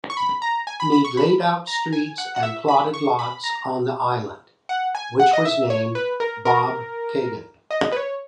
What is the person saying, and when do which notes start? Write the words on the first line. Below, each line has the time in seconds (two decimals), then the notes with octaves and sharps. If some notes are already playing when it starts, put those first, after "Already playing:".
Need laid out streets and plotted lots on the island, which was named Bobcaygeon.
0.10 C#6
0.17 B5
0.42 A#5
0.67 G#5
0.80 B5
0.92 B5
1.05 C#6
1.17 B5
1.67 A#5
1.93 G#5
2.18 F#5
2.36 F#5
2.43 E5
2.68 B5
2.94 C#6
3.19 B5
3.44 A#5
4.69 F#5
4.95 G#5
5.20 F#5
5.33 D#5
5.45 E5
5.70 C#5
5.95 B4
6.20 A#4
6.45 A#4
7.71 D#5
7.92 B4
7.97 C#5